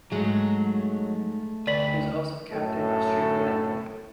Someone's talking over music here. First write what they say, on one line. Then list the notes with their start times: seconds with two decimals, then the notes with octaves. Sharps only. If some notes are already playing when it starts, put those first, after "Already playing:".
He has also captained Australia A.
0.12 G#2 F#3 G#3 A3
1.67 D2 B4 D5 B6 F#7
2.52 F#2 A2 A3 A4